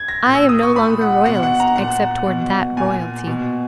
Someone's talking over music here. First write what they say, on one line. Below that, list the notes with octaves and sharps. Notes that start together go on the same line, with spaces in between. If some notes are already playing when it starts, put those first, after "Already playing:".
I am no longer Royalist except towards that royalty.
Already playing: G#6
A#6
A#2
E6
D#6
C#6
A#2 B5
F#5
B2 F#5
F#5
A#5
A#2 F#5
B2
A#2 G#5
B2